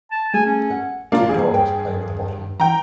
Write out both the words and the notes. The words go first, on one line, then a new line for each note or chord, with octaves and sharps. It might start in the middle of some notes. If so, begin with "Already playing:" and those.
Two dogs play with a bottle.
A5
A3 G#4 G#5
C#4
F#5
C3 A#3 D4 F4 D5
E2 G2 A#3 G#4
G2 G5
E3 G5 A#5